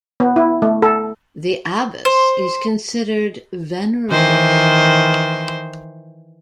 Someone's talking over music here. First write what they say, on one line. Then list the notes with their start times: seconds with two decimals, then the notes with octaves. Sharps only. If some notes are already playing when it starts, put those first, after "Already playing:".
The abbess is considered "Venerable".
0.20 B3
0.36 E4
0.62 A3
0.82 A4
2.05 C5
4.10 D#3 E3 C5